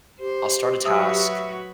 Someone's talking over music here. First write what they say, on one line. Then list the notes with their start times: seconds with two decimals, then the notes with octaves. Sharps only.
I'll start a task,
0.20 G4 C5
0.85 F#3 F#4 B4 E5 D#6 E6